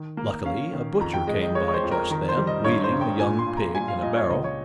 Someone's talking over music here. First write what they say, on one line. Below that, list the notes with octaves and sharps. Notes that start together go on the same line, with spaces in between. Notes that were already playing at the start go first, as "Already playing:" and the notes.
Luckily a butcher came by just then, wheeling a young pig in a barrow.
Already playing: D#3
A#3
C#4 F5
D#3
F2 A#5
G5
G#3 D#5
D#5
G#3 C#5
C#5
C5
F2
A#4
D#3 A#4
C5
G3
D#5
G2 C#5
C5
G2
G5
A#2 G#5
C6
A#2
A#5
G3 G#5
F5
A#2 D#5
C#5
C#2 D#5
C#5